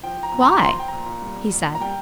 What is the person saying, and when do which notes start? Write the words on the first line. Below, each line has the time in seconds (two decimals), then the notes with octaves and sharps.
'Why,' he said.
0.03 F3 G5
0.17 F3
0.23 A#5
0.32 A#2
0.42 A#2 A#5
0.62 F3 C6
0.71 A#5
0.77 F3 G5
0.88 A#2 A#5
1.06 A#2
1.22 G3
1.36 G3
1.52 A#2
1.67 A#2
1.75 A#5
1.81 G3 G5